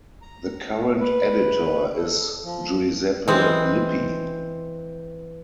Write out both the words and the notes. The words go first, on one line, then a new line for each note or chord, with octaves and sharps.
The current editor is Giuseppe Lippi.
A#5
B4
A4
F3
E3 G#3 C4